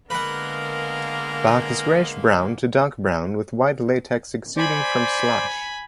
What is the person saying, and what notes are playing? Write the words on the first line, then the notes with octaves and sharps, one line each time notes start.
Bark is greyish brown to dark brown with white latex exuding from slash.
D3 G#3 A#3 B3 A#4 B4 F#5
C5 D5 G#5 B5